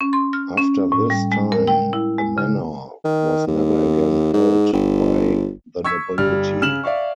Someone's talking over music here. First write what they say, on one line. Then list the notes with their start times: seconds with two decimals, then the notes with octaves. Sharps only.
After this time the Manor was never again held by the nobility.
0.01 C#4
0.13 C6
0.33 F6
0.57 C#4
0.92 A2
1.10 G3
1.32 G#3
1.52 A#4
1.68 G5
1.93 E4
2.18 G#3
2.38 C#3
3.04 D#3
3.47 D#2
4.33 G#2
4.73 G1
5.84 C#6 E6 G#6 B6
6.18 G1 G3 F6
6.62 C#3 F6 E7 F#7
6.84 D5 E5 F5 C#6